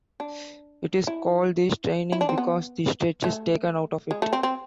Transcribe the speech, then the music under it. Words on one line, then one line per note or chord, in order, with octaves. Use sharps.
It is called the straining, because the stretch is taken out of it.
D4
E4
E4
D4
C4
B3
A3
G#3
A3
C4
C4